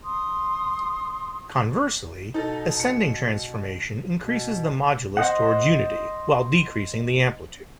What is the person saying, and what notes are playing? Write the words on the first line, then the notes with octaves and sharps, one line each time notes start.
Conversely, ascending transformation increases the modulus towards unity, while decreasing the amplitude.
C6 D#6
B2 D#4 A4
C#7
B2
C5 D#5 F#5